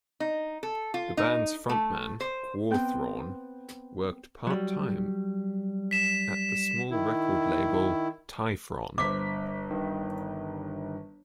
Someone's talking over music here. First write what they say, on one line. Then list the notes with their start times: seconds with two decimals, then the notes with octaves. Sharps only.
The band's frontman, Quorthon, worked part-time at the small record label Tyfon.
0.20 D#4
0.63 A4
0.94 F4
1.17 D#4
1.69 A3
2.20 C5
2.70 B3 C4 G5 C6 G6
4.47 F#3 G3
5.91 B6 E7
6.91 D#3 E4
8.98 G1 C5 D6 B6
9.70 G2 D#3